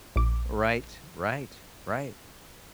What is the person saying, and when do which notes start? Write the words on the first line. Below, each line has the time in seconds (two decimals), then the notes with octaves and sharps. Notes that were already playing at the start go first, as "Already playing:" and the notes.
Right, right, right.
0.16 A#1 D6